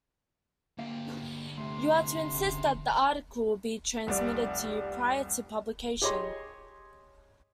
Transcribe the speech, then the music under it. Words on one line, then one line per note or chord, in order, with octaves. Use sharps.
You are to insist that the article be transmitted to you prior to publication.
D2 D3 A#3 G4 F5
C3 A3 C6
C#3
F1 C2 D5
G4 G#4 C#5 D#5 C6